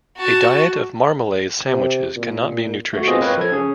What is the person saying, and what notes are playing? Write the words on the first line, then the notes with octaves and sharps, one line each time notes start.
A diet of marmalade sandwiches cannot be nutritious.
F#4 A5
C3
A#2
A3 F#4
B3 C4 F4 G#4 D#5
A#4 B4 C#5 D#5 F5 G5
F3 A4 G#6
C#4 G#4